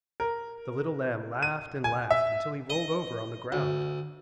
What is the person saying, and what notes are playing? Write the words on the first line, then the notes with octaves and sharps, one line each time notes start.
The little lamb laughed and laughed until he rolled over on the ground.
A#4
D#7
G#5
E5
D#5
D2